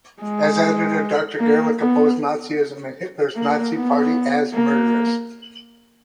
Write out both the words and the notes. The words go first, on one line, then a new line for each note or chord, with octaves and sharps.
As editor, Doctor Gerlich opposed Nazism and Hitler's Nazi Party as "murderous".
G#3
A#3
B3
A#3
B3
A#3